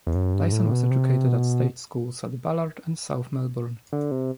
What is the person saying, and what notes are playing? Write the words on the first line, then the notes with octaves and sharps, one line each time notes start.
Dyson was educated at state schools at Ballarat and South Melbourne.
E2
F#2
G2
A2
B2
C3
B2
D3
C3